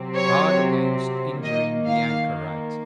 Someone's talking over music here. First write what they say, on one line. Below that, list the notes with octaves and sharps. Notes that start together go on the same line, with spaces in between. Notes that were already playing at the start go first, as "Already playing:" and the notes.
Guard against injuring the anchorite!
Already playing: C3 F#3 C4
C#5
D#3 A#3 D#5
F5